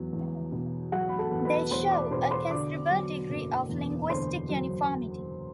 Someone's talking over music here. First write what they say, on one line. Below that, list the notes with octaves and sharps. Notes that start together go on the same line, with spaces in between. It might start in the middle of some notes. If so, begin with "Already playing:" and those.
They show a considerable degree of linguistic uniformity.
Already playing: E2 F#3
E2
B2
F#3 F#4 F#5
B5
A4 A5
E2
B4 B5
E2 C5 C6
D5 D6
B2 C5 C6
C5 C6
D3 D5 D6
F#3
F#1
E2
D3 C5 C6
F#3